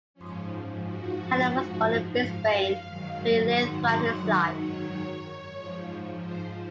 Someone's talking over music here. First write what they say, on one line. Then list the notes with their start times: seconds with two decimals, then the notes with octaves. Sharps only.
Hanlon was born in Brisbane, where he lived throughout his life.
0.14 G#2 F3 C#4
0.82 F#4
2.15 F5
2.82 G#2 D#3 F#3
3.49 F#5
3.82 F#5
4.15 F#5
4.50 C#5
5.50 G#2 F3
6.16 C5